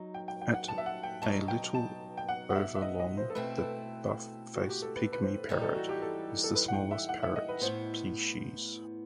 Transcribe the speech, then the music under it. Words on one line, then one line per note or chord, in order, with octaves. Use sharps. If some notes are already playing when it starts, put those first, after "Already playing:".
At a little over long, the buff-faced pygmy parrot is the smallest parrot species.
Already playing: F#3 D#4
G5
G5
G5
F#5
A5
E5
F#5
G5
B2 F#3 B3 D#4 A5
G5
A5
G5
F#5
F#5
E5
E5
D#5
D#5
C5
A4
B2 A3 C4 E4 B4
B4
A4
F#4
G4
A4
B4
B4
C5
E3 G3 D#4
A4
F#4
G4
A4
A4
B4
F#5
G5
E5
F#5
E5
D#5
B4
A2 E3 B3 C5